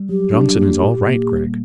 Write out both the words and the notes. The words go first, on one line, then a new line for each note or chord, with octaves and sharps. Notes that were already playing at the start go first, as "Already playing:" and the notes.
"Johnson is all right, Gregg."
Already playing: G3
F#3 G4
D4
A#3
A#2
A#3
G3